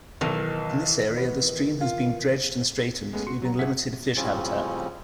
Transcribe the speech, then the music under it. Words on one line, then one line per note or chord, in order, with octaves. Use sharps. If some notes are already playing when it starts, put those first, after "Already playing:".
In this area the stream has been dredged and straightened leaving limited fish habitat.
B1 D#3 E3
B3
F4
G#3 A3 B3 C#4 G#4
F#4 C6 C#7
F#3 A#5
G1 G#4 E5 F#5 B6
A2 C#3 F3 G3 C4 C#4